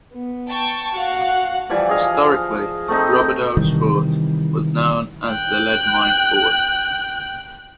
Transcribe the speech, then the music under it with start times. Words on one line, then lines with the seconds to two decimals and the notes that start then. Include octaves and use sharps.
Historically, Roberdeau's fort was known as the "Lead Mine Fort".
0.12 B3
0.47 G5 A5 C#6
0.94 F#4 F5 F#5
1.69 E3 F3 G3 G#5
1.89 G#4 D#5 F5
2.88 A3 C4 D#4
3.57 C3 D#3 E3 G3
5.30 G5 F#6